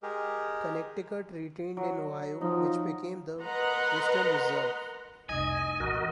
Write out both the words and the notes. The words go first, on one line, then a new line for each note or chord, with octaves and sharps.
Connecticut retained in Ohio which became the "Western Reserve".
G#3 G4 G#4 A#4
F#3
F3 D#4
A#4 B4 D#5 F#5 A#5 C6
F1 C2 D#5 G#5
A#2 E3 F#4 A#4 D#5